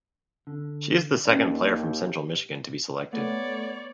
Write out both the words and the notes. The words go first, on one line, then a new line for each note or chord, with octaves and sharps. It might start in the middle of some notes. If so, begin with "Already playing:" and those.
She is the second player from Central Michigan to be selected.
D3
D#2 C#4 B4 D5
G4
A3 B3 C#5 D5